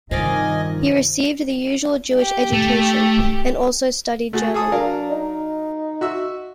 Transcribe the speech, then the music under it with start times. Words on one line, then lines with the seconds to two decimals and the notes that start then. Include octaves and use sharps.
He received the usual Jewish education, and also studied German.
0.11 G2 C3 D#3 F3 F4 D5 D#5 G#5
2.17 G4
2.53 A3
4.33 A3 F#4 G#4
4.54 G#4 A4 D#6
4.72 F#3 D4 A#4 F5
5.11 D#4
6.01 F#4 E5 E6